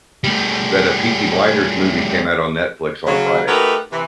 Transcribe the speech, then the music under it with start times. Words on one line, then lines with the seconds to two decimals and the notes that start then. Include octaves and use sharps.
that a Peaky Blinders movie came out on Netflix on Friday.
0.24 G3 A3
3.06 C#3 F#3
3.48 A3 D#4 F#4 G4 A#4 B4
3.91 C3 E3